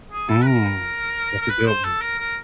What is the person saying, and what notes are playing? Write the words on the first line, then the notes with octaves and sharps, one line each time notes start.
Mm. That's a good one.
G#4
A4
B4
A#4
A#4
B4
C5
A4
A#4
A#4